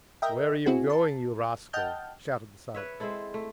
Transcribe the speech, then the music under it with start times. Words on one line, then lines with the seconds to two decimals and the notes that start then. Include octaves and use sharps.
"Where are you going, you rascal?" shouted the sergeant.
0.22 A#4 D#5 E5 G5
0.66 C4 E4 F#4 G#4
0.90 A5
1.73 D#5 F#5 G5 A5 F6 G6
2.75 B4 C#5 E5
3.00 G#3 C4 E4 A4
3.34 A3